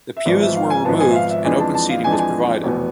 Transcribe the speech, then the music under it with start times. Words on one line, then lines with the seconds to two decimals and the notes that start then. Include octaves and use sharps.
The pews were removed and open seating was provided.
0.17 E5
0.25 G#1 G#2 F3 B3 D5
0.41 E5
0.55 F5
0.70 G#5
0.85 G#1 G#2 F3 B3 A5
1.00 G#5
1.11 E5
1.15 F5
1.30 E5
1.44 F2 E3 G#3 D4 G#5
1.60 A5
1.75 A5
1.89 F5
2.04 F2 E3 G#3 D4 G#5
2.12 A5
2.19 G#5
2.63 F1 E2 B2 B3